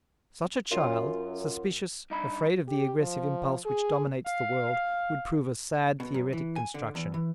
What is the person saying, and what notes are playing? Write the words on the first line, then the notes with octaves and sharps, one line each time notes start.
Such a child, suspicious, afraid of the aggressive impulse which dominates the world, would prove a sad theoretic construction.
F#2 F4
G2 D#4 B5
G4
F3
G#4
F5
B2
F#2
E3
G#5
D3
E2
E3